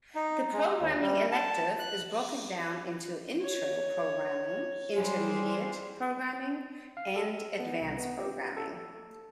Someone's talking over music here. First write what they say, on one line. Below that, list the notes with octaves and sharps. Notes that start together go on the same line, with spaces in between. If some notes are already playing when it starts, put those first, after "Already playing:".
The Programming elective is broken down into Intro Programming, Intermediate Programming, and Advanced Programming.
D#4
G#3
D#2
G3
A5
F#6
C#5
G3 G#3 C5
F5
A4
B3
C2
B3
G4
A4